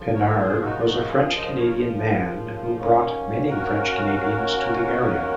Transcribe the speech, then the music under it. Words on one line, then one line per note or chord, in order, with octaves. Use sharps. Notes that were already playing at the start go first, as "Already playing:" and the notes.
Pinard was a French Canadian man who brought many French Canadians to the area.
Already playing: D#2 C#3 F3
A#4 C#5
A#4
G#4 C5
D#4 F#4
F4
D#4 F#4
F4 G#4
C5 D#5
A#4 C#5
D#2 D#3 F#3 A#3 C#4
F#4 A#4